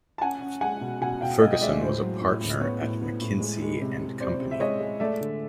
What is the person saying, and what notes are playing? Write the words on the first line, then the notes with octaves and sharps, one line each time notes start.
Ferguson was a partner at McKinsey and Company.
A5
C#4 F#5 G#5
C#4
G#3 F#5 G#5
B2
B2 F#5 G#5
B2 F5 G5
B2 D#5 F5
D#5
G#3 D5 E5
A2 C5
F#3
A2
A2
B3 C#5
A2
B3
A2
G#3
G#3
C3
C3
C3 C5 D5
C3
E5
G#3 C#5 D#5
G#3
A3 D5 E5
D3